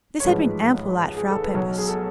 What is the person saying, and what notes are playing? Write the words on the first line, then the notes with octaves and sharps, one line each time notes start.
This had been ample light for our purpose.
C#5
A1 G#2 F3 G#3 B4
G#4
A4
B4
B1 B2 F#3 C#5
G#4
A4